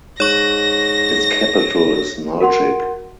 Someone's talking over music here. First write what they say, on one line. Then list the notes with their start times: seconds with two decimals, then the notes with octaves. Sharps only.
Its capital is Nalchik.
0.20 G#2 C#5 C#6 A#6
2.41 F#4 A#4 F#5 C6